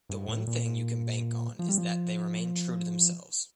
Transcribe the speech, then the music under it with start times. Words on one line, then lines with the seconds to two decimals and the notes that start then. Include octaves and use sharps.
The one thing you can bank on is that they remain true to themselves.
0.09 G2
0.28 A2
0.47 A#2
1.59 F3
1.69 G3
1.78 F3